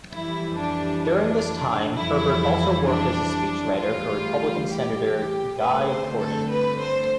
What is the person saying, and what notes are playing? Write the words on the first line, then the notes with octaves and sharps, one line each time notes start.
During this time Herbert also worked as a speechwriter for Republican senator Guy Cordon.
F2 E3 G3 E4
D4
D4
F2 E3 G3 E4
D4
A2 E3 G3 F4
G4
G2 D3 A3 C4 B4
C5
A4
B4
C5